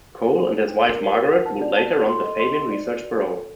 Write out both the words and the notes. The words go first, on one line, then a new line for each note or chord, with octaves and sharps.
Cole and his wife Margaret would later run the Fabian Research Bureau.
A4
C5
A4
G5
A#4
G4
A#4
F#5
A5
D5
A5
A4
C6
D#5
C6
C6
D5
D5
F#4
F#4
A4